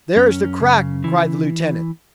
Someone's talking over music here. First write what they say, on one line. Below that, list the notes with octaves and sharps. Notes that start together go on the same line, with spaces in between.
"There is the crack!" cried the lieutenant.
F#2 C#4
C#3
E3